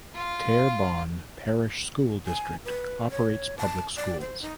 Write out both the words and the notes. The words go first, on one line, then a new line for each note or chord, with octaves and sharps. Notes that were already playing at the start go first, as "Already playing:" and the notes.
Terrebonne Parish School District operates public schools.
F4 F5
G#5
B4
C#5
A5
D5
C5
D#4